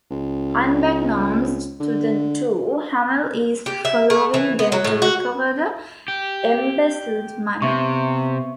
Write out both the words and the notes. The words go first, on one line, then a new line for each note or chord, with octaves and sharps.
Unbeknownst to the two, Hummel is following them to recover the embezzled money.
C#2
D3
G4
E5
A3
E3
B3
F#3
A2
F#4
G4
C3 B3 E5 C#6